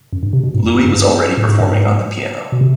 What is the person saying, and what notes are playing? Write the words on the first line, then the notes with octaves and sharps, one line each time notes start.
Louis was already performing on the piano.
F#2
G2
C3
B2
G#2
F2
F#2
G2
G2
A2
G#2
G2
G#2
B2
C3